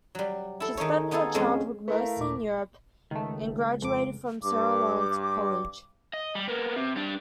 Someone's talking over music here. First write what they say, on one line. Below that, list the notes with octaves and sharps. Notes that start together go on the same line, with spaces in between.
She spent her childhood mostly in Europe and graduated from Sarah Lawrence College.
F#3 G3
E4 A4
D#3 D#4 G#4 C#5
B3 D#4 F4 G#4 A4
F2 G#3 C4 C#4 F4
A3 E4 A#4 B4
F5
D#2 A#2 D6
C#2 D#3 A3
F2 D6
G2 D6
D#5
G3
A#3 B3
C3
G3 D4